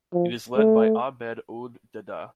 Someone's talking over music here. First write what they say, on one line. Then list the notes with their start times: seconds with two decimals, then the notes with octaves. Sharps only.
It is led by Ahmed Ould Daddah.
0.14 F3
0.56 A3